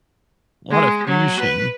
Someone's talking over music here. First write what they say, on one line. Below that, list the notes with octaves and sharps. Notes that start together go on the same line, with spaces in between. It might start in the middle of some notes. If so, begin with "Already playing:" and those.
lotta fusion.
G#3
F#3
B4